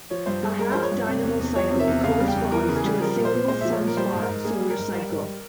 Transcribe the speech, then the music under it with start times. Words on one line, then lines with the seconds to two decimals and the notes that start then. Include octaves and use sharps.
A half dynamo cycle corresponds to a single sunspot solar cycle.
0.10 F3 C#5
0.26 G2 C5
0.43 G2 G#4
0.59 G#3 A#4
0.72 F3 C5
0.83 C#5
0.92 G2
1.07 C3
1.23 E2
1.39 E2
1.55 F3 C#5
1.71 C3
1.80 E5
1.88 E2
2.04 C#3 F5
2.20 G3
2.28 G5
2.36 E2
2.52 E3 A#4
2.69 C#3
2.76 G#4
2.84 G3
3.00 F3 A#4
3.16 A#2
3.25 C5
3.32 A#2
3.48 G#3 C5
3.61 F3 E5
3.73 C#5
3.81 A#2
3.87 A#4
3.97 G3 C5
4.13 G#2
4.21 A#4
4.29 G#2
4.45 A#3 G#4
4.61 G3
4.70 A#4
4.78 G#2
4.94 G3
5.10 G#2